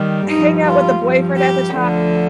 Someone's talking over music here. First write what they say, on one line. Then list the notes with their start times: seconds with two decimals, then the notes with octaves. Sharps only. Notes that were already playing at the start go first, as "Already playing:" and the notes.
hang out with the boyfriend at the ti
Already playing: D#3 G3
0.29 G2 F3 D#4
0.65 F4
1.02 G2 F3
1.38 G4
1.74 D2 D3 F3